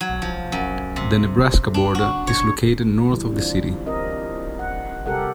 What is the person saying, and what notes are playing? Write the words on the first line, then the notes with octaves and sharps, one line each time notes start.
The Nebraska border is located north of the city.
F#3
F3
F#2
C3
D4
F#4
C#5
D3 E3 G3
C4 D4 F4
C4 G4 A#4 D#5
F#5
C3 G3 G4 A4 A#4 F#5